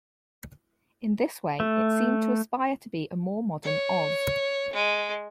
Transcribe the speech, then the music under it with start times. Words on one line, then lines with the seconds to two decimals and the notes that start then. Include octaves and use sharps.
In this way, it seemed to aspire to be a more modern Oz.
1.60 A3
3.64 C#5
4.73 G#3